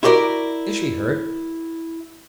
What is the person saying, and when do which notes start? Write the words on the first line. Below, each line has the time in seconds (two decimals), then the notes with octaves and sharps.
"Is she hurt?"
0.03 E4 F#4 G4 A#4 D5